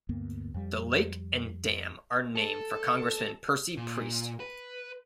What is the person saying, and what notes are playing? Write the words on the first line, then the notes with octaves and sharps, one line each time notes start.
The lake and dam are named for Congressman Percy Priest.
D2 G2 A#3 B3
F2 G3
A4
A#2
B4